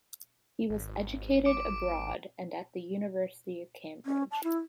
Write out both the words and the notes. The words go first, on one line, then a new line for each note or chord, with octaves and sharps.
He was educated abroad and at the University of Cambridge.
G#1
D6 D7
C#4
A5
E4